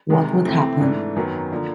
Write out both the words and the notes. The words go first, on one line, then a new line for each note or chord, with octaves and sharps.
What would happen?
C3 D#3 G#3
C3 E3 A3 C4
G#2 E3 A3 D4
F#2 D#3 F#3 B3
D3 F3 A#3